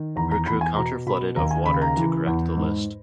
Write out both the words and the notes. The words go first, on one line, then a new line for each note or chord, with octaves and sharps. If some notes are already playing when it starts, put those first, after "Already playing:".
Her crew counter-flooded of water to correct the list.
Already playing: D#3
E2 A#5
A#5
E2 B5
G#5
B2 A#5
B2 B5
D#2 A#5
G#5
C#3 B5
A#5
E3
E2
G#2